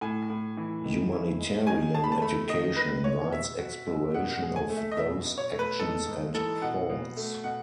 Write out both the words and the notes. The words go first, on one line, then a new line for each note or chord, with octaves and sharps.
Humanitarian education invites exploration of those actions and thoughts.
A2 G#5
A2
E3
D#3
E4
G#3
D#3 G#5
G#4 A5
B5
A5
A3 B5
D#3 D#5
D#3 B4
G#3 C#5
B2 E5
F#4
G#3
B2 F#5
F#5
G#4
G#5
A3
E5
D#5
B2 E5
B2
C#5
A3
B4
G#2 A4
G#2
E3 A4
B2 F#5
B2
A3
B2 F#5